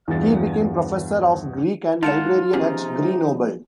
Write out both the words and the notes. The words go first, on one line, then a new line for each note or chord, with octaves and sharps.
He became professor of Greek and librarian at Grenoble.
E2 G2 F4 A6
G#2 G#3 D#4 F4 F#5 A5 C#7 E7
C3 F3 B3 C#4 D#4 G4 G#4